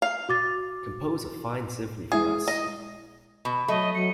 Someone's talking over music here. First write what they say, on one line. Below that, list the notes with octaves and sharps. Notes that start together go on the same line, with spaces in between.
Compose a fine symphony for us!
F5
F#4 D6 A6
G#3 E4 G#4 D#6
D#5
B2
F#3 A3 D#5
F#3 C#7